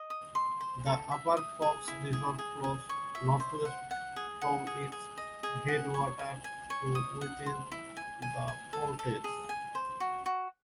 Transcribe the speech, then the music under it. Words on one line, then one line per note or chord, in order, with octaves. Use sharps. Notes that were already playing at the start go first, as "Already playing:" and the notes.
The upper Fox River flows northwest from its headwater to within the Portage.
Already playing: D#5
D#6
C6
C5
A4
E5
D#6
G#4
E4
G#4
G#4
G#4
C#5
E5
C5
F#5
F#5
G#4
F#5
G#4
G#4
D#5
G#4
F#5
C#5
G#5
G#5
C#5
D#6
F#5
C5
E4
G#5
G#5
G#5
A4
A4
G#4
G#5
C5
F#4
F#4